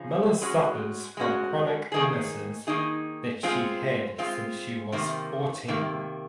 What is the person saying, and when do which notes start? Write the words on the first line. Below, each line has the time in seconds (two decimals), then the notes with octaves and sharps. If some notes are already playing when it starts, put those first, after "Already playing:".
Miller suffers from chronic illnesses that she had since she was fourteen.
Already playing: C#3 F3 D#4 G#4
0.41 G#3 C#4 F#4
1.17 G#3 C#4 F#4
1.92 D#3 A#3 D#4 G#4
2.67 D#3 A#3 D#4 G#4
3.43 G#3 C4 F4
4.18 G#3 C4 F4
4.92 C3 D#3 A#3
5.68 C3 D#3 A#3